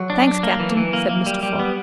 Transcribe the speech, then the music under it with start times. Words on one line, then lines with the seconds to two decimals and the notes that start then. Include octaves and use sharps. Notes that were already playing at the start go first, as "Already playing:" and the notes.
"Thanks, captain," said Mr. Fogg.
Already playing: F#3
0.10 D4
0.27 D4
0.43 A#3
0.60 E3
0.77 E3
0.93 A#3
1.09 A#3
1.26 G3
1.43 G3
1.59 B3